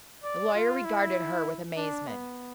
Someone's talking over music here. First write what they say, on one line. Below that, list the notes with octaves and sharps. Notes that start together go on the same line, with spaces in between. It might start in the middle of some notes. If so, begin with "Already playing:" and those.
The lawyer regarded her with amazement.
D5
F4
E4
D4
B3